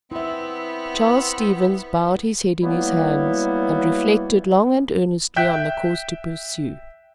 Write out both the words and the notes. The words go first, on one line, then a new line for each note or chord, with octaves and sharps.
Charles Stevens bowed his head in his hands and reflected long and earnestly on the course to pursue.
B3 C4 E4 E5
E3 F#3 G3 A#3 B3 E4
E5 G5 F#6 G6 B6